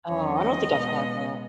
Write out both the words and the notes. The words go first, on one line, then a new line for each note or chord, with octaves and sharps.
Oh, I don't think I've had that.
E2 D#3 F#3 C#4 C#5
D#5
B2 G#3 B3